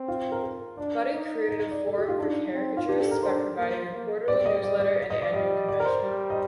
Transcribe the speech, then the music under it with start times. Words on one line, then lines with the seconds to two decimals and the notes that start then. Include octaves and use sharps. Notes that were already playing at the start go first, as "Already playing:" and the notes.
Buddy created a forum for caricaturists by providing a quarterly newsletter and annual convention.
Already playing: C4
0.08 F4
0.32 A#4
0.44 A#4
0.77 D4 D5
1.13 D#4
1.49 D#5
1.60 D#5
1.71 D5
1.87 A4
1.98 G4
2.08 F4
2.18 D4 D#4
2.53 C4
2.77 F4
2.88 D4 G4
3.00 A4
3.11 A#4
3.22 D4 C5
3.57 A#3
3.94 A#3
4.28 G3 D5
4.46 D#5
4.63 D5
4.80 D5
5.10 D#5
5.22 D5
5.33 G3 D#5
5.68 D5
5.80 A#4
5.85 C5
6.03 G3
6.30 D#5